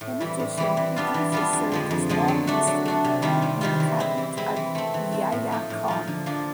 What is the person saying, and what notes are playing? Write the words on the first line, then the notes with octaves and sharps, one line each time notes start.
In addition, he briefly served as Law Minister in the cabinet of Yahya Khan.
A2
E3 G3 C4 E4
A2
E3 G3 C4 E4
E3
G3 B3 D4 F4
E3
G3 B3 D4 F4
F2
D3 F3 G#3
F2
D3 F3 G#3
F#3
A3 D4 F#4
F#3
A3 D4 F#4
C3
D#3 G3 C4 F4
C3
D#3 G3 C4 F4
E3
G#3 C4 E4
E3
G#3 C4 E4
E3
A3 C4
E3
A3 C4
A2
F3 A#3 D#4
A2
F3 A#3 D#4
D3
F3 A#3 D4